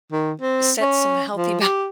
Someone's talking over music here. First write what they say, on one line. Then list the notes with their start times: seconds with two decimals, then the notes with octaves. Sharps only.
set some healthy boun
0.12 D#3
0.41 C4
0.81 C#4
1.35 F3
1.61 G4